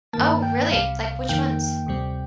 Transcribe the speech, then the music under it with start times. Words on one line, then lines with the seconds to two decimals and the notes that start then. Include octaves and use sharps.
Oh, really? Like, which ones?
0.13 G2 D#3 A#3 A5
0.42 G5
0.71 C2 C3 G3 F5
1.29 F2 D#3 A#3 G5
1.86 D2 C3 G3 C4